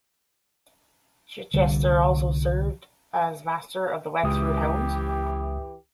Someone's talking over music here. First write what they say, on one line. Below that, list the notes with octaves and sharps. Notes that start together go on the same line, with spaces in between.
Chichester also served as master of the Wexford Hounds.
C2 D3 G3
C#2 E3 G4 D#6